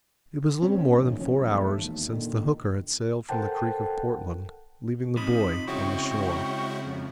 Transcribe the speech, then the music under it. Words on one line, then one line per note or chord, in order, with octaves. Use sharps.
It was little more than four hours since the hooker had sailed from the creek of Portland, leaving the boy on the shore.
C2 C4 C#4
D1 A#1 D#3
D1 C2 F3 C#4
B1 E2 D#3 A3
E1 D#2
A#2 D3 D#3
A4 A#4 C5 F#5 G5 A5
C3 F3 D#4 B5
C#2 G#3 C4 C#4 E4 F#4 C#5 G5
F2